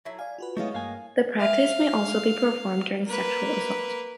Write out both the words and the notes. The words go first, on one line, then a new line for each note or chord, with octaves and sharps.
The practice may also be performed during sexual assault.
F#3 A3 E4
D5 F5 G#5
F4 F#4 B4
G#3 A3 B3 E4 F4 G#4 C#5 D#5
G2 A#3 F5 G#5
E5 F5
A#3 B4